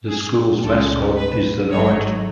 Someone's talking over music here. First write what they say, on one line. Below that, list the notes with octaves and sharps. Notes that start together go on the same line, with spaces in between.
The school's mascot is the knight.
G#4
C#2 C#3 G#3 A4
B4
G#1 G#2 F#3 A3 C#5